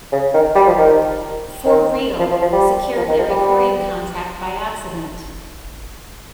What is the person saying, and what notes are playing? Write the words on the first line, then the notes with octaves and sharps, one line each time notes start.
For Real secured their recording contract by accident.
C#3
D#3
G3
F3
D#3
D#3
F3
F3
F3
G3
F3
D#3
F3
G3
G3